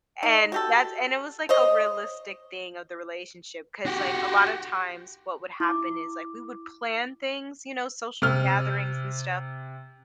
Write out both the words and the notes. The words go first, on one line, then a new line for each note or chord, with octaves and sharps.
and that's and it was like a realistic thing of the relationship. 'Cause, like, a lot of times what would happen is like we would plan things, you know, social gatherings and stuff.
D#4
F#4 G4 A4
C5 C#5 D#5
F#4 G4
E4 D6
C3 F6